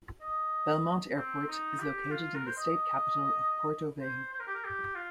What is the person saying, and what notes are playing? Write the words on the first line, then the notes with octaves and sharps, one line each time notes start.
Belmonte Airport is located in the state capital of Porto Velho.
D#5
C4
D#4
G4
F4
A#4
C5
D#5
C5
C5
A#4
G4
A#4
G4
F4